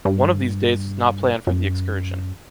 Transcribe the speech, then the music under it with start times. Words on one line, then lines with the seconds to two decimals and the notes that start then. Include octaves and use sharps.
One of these days is not planned for the excursion.
0.05 G2
1.47 F#2